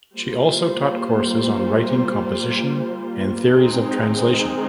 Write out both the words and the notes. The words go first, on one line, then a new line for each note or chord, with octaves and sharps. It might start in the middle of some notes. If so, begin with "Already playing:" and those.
She also taught courses on writing composition and theories of translation.
G3 A#3 F4 C5
D#3 G#3 C4 D#4 G#4